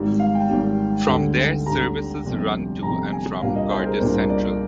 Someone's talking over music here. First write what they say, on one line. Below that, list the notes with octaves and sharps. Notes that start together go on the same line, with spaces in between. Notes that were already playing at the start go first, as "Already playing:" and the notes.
From there services run to and from Cardiff Central.
Already playing: G#1 G#2 G3
F5
G5
G#1 G#2 G3
D2 D3 G3
D2 D3 G3 A#5
G1 F2 C3
G1 F2 C3 A#5
G#5
C2 A#2 G3 A#3 D4 F5
D#5
C5
G#4
A#4
C2 A#2 G3 A#3 D4 C5
D5